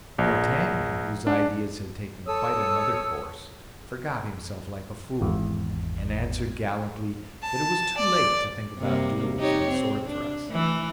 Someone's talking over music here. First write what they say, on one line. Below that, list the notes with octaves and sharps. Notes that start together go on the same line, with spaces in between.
But d'Artagnan, whose ideas had taken quite another course, forgot himself like a fool, and answered gallantly that it was too late to think about duels and sword thrusts.
A#1
D4
A4 C#5 D#6 E6
G#1 E2
A5
D5
C3 G3 A#3
D#4 G4 C#5
C4
D4
E3 A3